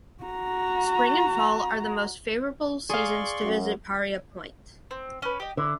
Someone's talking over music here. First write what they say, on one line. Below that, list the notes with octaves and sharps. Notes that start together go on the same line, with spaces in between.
Spring and fall are the most favorable seasons to visit Paria Point.
F#4 A#5
G#4 D5 F5 C6 C#6
F#2
C4
C#4 B4
G4 D#5
D3 E4